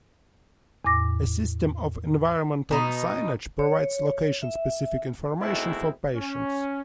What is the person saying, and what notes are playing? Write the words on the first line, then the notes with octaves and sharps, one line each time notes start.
A system of environmental signage provides location-specific information for patients.
E2 A2 D6 A#6
B2 D#4
C#5
E5
B2 G#3 A3 C4 D#4 E4
C#4